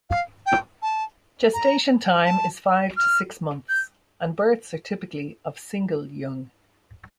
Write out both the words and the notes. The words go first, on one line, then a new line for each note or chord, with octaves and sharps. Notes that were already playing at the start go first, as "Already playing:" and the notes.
Gestation time is five to six months, and births are typically of single young.
F5
G5
A5
A#5
A5
F6
G6